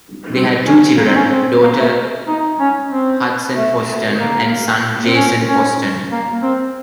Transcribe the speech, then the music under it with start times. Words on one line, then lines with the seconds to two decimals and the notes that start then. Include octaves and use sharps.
They had two children, daughter Hudson Poston and son Jason Poston.
0.35 C4
0.67 C#4
0.96 A#3
1.05 C4
1.15 C#4
1.30 C4
1.63 A#3
1.79 A3
2.28 D#4
2.60 C#4
2.90 C4
3.54 A3
4.18 A#3
5.06 C4
5.15 C#4
5.47 C#4
6.11 A#3
6.42 C4